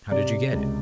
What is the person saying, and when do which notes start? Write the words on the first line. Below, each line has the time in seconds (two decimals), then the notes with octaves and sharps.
"How did you get it?"
0.12 C3 D5
0.53 C#2